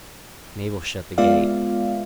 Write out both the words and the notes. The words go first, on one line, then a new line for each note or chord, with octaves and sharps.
Mabel shut the gate.
G#3 B3 F4 D5 E5 F5